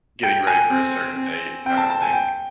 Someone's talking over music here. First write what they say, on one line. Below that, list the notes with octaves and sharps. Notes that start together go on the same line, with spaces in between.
getting ready for a certain date kinda thing.
G5
G#5
C4
C4
C4 G5
A5
A5
G#5
G5